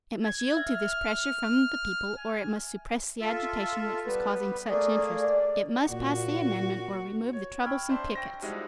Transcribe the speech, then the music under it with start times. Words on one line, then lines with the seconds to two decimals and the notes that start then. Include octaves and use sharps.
It must yield to this pressure from the people or it must suppress the agitation which was causing such interest. It must pass the amendment or remove the troublesome pickets.
0.24 G#6
0.57 E5 F6
2.17 G#5
3.21 F4 A4 E5
4.06 G3 B3 B4
4.69 A3 A#3 G#4 D5
5.18 D5
5.90 A#2 F#4
7.33 C#5
7.63 G5 B5 C#6 E6 F6 G#6
7.88 C4 D4 C5 E5 A5
8.15 G5 C#6 A#6
8.42 F3 G3 G#3 D#4 E4 F#4